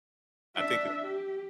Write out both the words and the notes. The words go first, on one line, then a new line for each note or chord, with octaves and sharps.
I think it's
D4 E5
G4